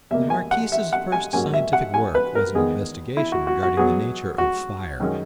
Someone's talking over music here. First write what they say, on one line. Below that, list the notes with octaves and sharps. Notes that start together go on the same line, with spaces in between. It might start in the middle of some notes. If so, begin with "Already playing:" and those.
The Marquise's first scientific work was an investigation regarding the nature of fire.
E2 B2 A#3 E5
G#5
F#5
E5
F#5
G#5
G#2 F#3 A#3 C#4 G#5
E5
F#5
G#5
B4
A#4
E2 D#3 G#3 B3 G#4
E4
F#4
F#4
F#4
B2 F#3 B3 G#4
F#4
F#2 D#3 G#3 C#4